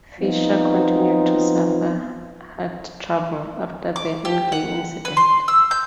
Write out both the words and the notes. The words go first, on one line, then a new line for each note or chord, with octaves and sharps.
Fischer continued to suffer heart trouble after the in-game incident.
F3 B3 C4 D#4 F4
D6
G4
F#5
B4
C6
E6
G6